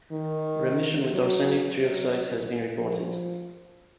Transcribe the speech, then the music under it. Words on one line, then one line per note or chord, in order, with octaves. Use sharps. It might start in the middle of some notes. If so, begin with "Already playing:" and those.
Remission with arsenic trioxide has been reported.
D#3
F#3
F#3
F3